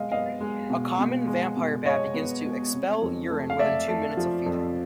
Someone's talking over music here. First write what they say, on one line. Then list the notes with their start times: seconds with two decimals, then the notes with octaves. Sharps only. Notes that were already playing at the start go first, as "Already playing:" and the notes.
A common vampire bat begins to expel urine within two minutes of feeding.
Already playing: B2 G#3 D#5 F5
0.12 B3 D#5 F5
0.41 G#3
0.70 B2
0.99 B2
1.27 G#3
1.57 B2
1.86 G#3 C#5 D#5
2.14 B3
2.44 G#3
2.72 C3
3.02 F2
3.30 A3
3.50 F5
3.59 A3 D5 E5
3.88 A3
4.17 F3
4.46 F2